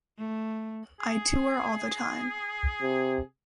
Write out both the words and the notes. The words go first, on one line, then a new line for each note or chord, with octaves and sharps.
I tour all the time.
A3
G#4
C3